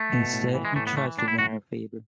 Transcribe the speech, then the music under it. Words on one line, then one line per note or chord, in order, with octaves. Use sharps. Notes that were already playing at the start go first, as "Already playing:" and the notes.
Instead he tries to win her favour.
Already playing: A3
B2
A2
E3
G#3
A2 A3
B3
E3 A3
A2 D4
E4
A2 F#4